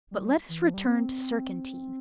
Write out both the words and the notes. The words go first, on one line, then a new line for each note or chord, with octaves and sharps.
But let us return to Surcantine.
G3
E3
F3
G3
C4